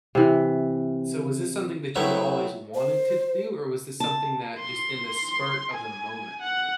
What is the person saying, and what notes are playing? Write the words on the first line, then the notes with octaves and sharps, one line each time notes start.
So was this something that you had always wanted to d do, or was this something that just in the spur of the moment,
C3 E3
F#3 A3 B3 C4 E4
C5
A5
C6
G#5
F#5